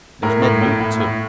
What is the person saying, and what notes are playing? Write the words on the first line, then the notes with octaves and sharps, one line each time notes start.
There's Ned Newton, too.
A2 A#4
A2
A2
A2
A2